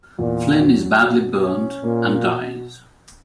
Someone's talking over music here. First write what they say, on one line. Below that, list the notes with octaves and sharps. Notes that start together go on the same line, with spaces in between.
Flynn is badly burned and dies.
E2 A#2
F#3
B2
C#4
A#2 A#3
B2